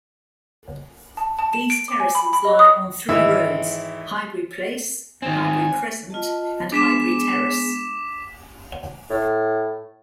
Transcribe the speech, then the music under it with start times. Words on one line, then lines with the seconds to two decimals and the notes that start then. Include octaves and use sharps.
These terraces lie on three roads: Highbury Place, Highbury Crescent, and Highbury Terrace.
1.17 A5
1.39 A5
1.53 E7
1.70 D7
1.88 D6
2.00 G#5
2.15 B5
2.33 B5
2.45 D#5
2.59 D#6
3.09 G#1 E3 E5 E6
5.22 D#3 C4 G#5
6.10 F4 D#5 A5
6.72 G#3 B3 D4 G#4 D6 B6 E7
9.10 A2